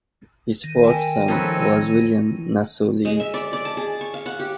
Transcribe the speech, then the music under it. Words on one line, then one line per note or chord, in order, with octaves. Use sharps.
His fourth son was William Nassau Lees.
D#3
A#4 G5 G#5
F3 C4 D#4 A4 B4 C#5
G#3
E5
D5
D5
A5
G#4
C#6
F5
F#5
G4